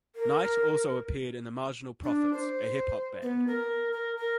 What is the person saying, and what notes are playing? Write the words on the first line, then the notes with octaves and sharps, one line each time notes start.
Knight also appeared in The Marginal Prophets, a hip-hop band.
A#4
D4
C5
B3
A#4
A#4
A#4